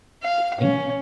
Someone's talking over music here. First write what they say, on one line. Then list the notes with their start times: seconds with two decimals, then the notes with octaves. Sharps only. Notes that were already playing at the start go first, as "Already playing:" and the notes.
You think.
0.23 F5
0.61 C#4